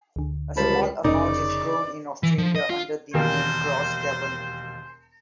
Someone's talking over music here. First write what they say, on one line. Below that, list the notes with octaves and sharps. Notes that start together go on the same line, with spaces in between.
A small amount is grown in Australia under the name Gros Cabernet.
D2 D3
C#2 G3 A#4 C5 A5 B5
F1 C#3 D#4 A#4 D5
E3
F3
D#5
F4
E1 D#2 A#4 C5